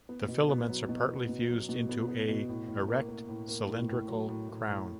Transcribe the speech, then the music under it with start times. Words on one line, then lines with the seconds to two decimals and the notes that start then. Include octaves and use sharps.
The filaments are partially fused into a, erect, cylindrical "crown".
0.09 B3
0.28 B2
0.49 B3
0.69 F#3
0.89 B2
1.08 B3
1.29 B2
1.49 F#3
1.69 B2
1.89 B3
2.08 B3
2.28 B2
2.49 A2
2.68 A2
2.88 A#3
3.09 A#3
3.29 A2
3.49 A#3
3.69 A2
3.88 A2
4.08 F#3
4.28 A2
4.49 A2
4.68 A2